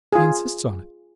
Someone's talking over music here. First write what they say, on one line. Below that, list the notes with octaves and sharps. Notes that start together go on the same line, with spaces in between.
"He insists on it."
F4 G#4